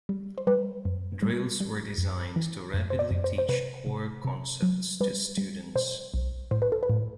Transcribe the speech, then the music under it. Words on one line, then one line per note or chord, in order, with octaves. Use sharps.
Drills were designed to rapidly teach core concepts to students.
G3
C5
G3 B4
F#2
G3
G3
F#2
E3
F#2
C5
D5
F#2
C5
C5
C3 B4
C3
C3
F#3
G3 B4
G3
B2 C5
B1
A2 C5
B4
A4
B4
A2